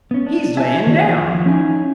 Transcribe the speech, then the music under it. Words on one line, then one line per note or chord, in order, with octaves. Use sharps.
"He's layin' down!"
B3 C#4
D4
E5 G#5 A5
D#3 C5 D5
F3
C#4 D#4 E4 G#5